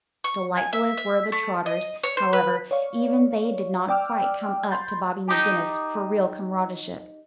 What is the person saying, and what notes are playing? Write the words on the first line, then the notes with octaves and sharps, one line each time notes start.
Delightful as were the Trotters, however, even they did not quite come up to Bobby McGinnis for real comradeship.
C#6
G#5
E5
E5
A3
D#5
C#5
C5
B4
C#5 D5 F5 C#6
D5 G5 D6 E6 F6
B5 C6 G6 A6
D#4 G4